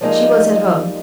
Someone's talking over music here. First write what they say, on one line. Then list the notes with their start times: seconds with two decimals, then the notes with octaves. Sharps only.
She was at home.
0.01 F3 G3 G#3 A#3 D#4